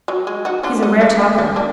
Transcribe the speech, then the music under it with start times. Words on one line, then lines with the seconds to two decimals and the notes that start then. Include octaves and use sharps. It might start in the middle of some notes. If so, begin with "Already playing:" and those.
He's a rare talker.
0.08 F#3
0.27 G#3
0.45 D#4 F#4
0.63 D4 F4
0.83 B3 D#4
1.01 A#3 D4
1.19 B3
1.38 A#3 D4
1.56 A#3 D4